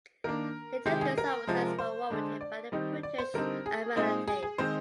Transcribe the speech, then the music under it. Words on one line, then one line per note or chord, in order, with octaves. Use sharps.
Later these officers were "warranted" by the British Admiralty.
D#3 A#3 D4 A#4
C3 D#3 G#3 G4
G#4
A#4
C3 F3 G#3
C5
D3 G#3 D4
D5
D#3 G3 C4 D#4
D5
C5
D3 G3 C4 D#4 A#4
G#4
A#2 G#3 C4 D#4
G#4
G#4
D#3 G#3 C4 D#4 C5